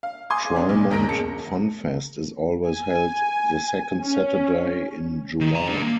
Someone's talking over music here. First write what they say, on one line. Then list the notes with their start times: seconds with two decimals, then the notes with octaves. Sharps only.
Trimont FunFest is always held the second Saturday in July.
0.03 F5
0.30 G#5 C6 D6 D#6 G#6
0.53 C3 C#4 D4
0.69 B1 A#2
0.90 G1 D#2 B2 A#4 A#6 D7
1.09 C#2 G#3 A5 C#7
2.67 G#5
4.04 C#4
5.41 D#3
5.55 G#5 A#5
5.67 G3 D4
5.82 A#3